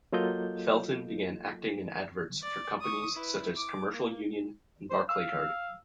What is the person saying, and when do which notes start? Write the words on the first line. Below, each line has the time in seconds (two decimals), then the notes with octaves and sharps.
Felton began acting in adverts for companies such as Commercial Union and Barclaycard.
0.13 F#3 A#3 F4 A4 D#5 G6
2.42 D5
2.80 C#6 D#6
3.15 E4 B4
3.56 D6
3.92 A#3
4.90 C5
5.09 F5 E6